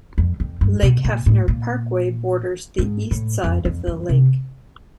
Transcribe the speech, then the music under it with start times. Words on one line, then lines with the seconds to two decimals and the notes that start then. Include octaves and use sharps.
Lake Hefner Parkway borders the east side of the lake.
0.18 F2
0.40 F2
0.61 G2
0.83 B2
1.05 A#2
1.26 A2
1.48 A#2
2.78 G#2
3.11 A2
3.44 F2
3.65 F2
3.87 F#2
4.09 C3